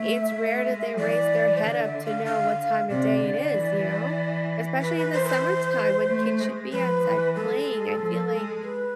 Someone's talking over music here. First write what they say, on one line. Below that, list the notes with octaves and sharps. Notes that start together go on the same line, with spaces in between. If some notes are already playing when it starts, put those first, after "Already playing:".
it's rare that they raise their head up to know what time of day it is, you know? Especially in the summertime when kids should be outside playing, I feel like
Already playing: A3 E5
A3
G#3
E3 D5
C5
D3 D5
E5
F5
F5
C3 D5
D3
E3
B4
B4
C5
B4
C5
A3
G#3
F3 B4
E3
G#3 A4
F3
G#3
B4